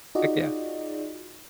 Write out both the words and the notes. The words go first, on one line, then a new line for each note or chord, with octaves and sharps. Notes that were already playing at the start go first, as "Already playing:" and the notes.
Heck yeah.
D#4 F4 F#4 G#4 D5 D#5